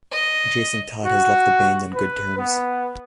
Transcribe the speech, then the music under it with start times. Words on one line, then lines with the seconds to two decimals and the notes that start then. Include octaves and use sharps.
Jasin Todd has left the band on good terms.
0.12 D#5
1.05 F#4
1.94 B4
2.39 B3